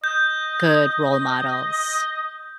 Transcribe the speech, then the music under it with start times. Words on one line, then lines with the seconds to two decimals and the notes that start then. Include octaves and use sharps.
good role models.
0.04 D#5 G6